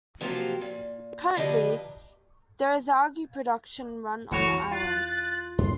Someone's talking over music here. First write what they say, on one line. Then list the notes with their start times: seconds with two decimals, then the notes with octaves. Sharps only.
Currently, there is algae production run on the island.
0.21 C3 F3 F#3 A#3 F4 G4
0.61 A#2
1.36 D3 F3 D4 G4 B4 D#5
4.31 F#1 E3 A3 F#4 C#5
4.53 E2
4.72 F4 F#6 A6
5.58 F#2 A#2 D4 C6